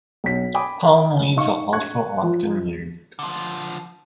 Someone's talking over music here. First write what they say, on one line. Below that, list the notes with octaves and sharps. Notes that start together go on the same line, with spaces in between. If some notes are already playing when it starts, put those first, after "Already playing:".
Palm leaves are also often used.
B1 B6
G5 G#5 B5 D6 D#6
D#4 F5 C#6
C#6 F#6 G#6
F3
D3 F3